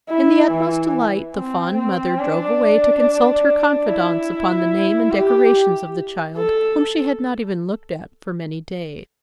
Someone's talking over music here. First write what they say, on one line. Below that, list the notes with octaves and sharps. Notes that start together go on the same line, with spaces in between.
In the utmost delight the fond mother drove away to consult her confidants upon the name and decorations of the child, whom she had not even looked at for many days.
E4
E3
C4
C4
D4
D4
E4
G4
A4